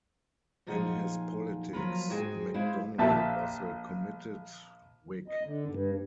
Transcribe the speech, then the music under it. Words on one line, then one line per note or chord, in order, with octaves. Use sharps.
In his politics McDonnell was a committed Whig.
A#2 F3 D#4 F4 G#4 F#5
F3 F#3 A#3 F4 A#4 B4
G#2 F#4 G#4 G5 G#5
G#3 E4 C5 F5
A#1 A#3 G4 E5 A5
D#5
D3
G2